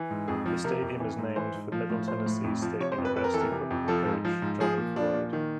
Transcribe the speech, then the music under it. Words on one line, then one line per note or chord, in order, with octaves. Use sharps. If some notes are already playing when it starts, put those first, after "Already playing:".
The stadium is named for Middle Tennessee State University football coach Johnny Floyd.
Already playing: E3
G#2
F2 G#4
F3
C3 A#4
F2
E3
G#2
E3 C5
G#2
F3
A2
F3 C5
A2
F2
F3
C3 C#5
C5
F2
B4
F2 B4
A#4
E3 A4
A#4
C3
F2
F3 A4
G#2
F3
G#2
F3 G#4
A#2
F3 D4
A#2
D#3